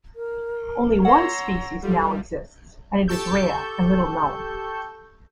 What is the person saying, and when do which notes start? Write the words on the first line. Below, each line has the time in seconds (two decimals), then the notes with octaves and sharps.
Only one species now exists, and it is rare and little known.
0.16 A#4
1.05 C#5 F#5 A#5 C6 E6
1.83 G3 F4 A4
3.08 G4 A4 A5 C#6 E6 G6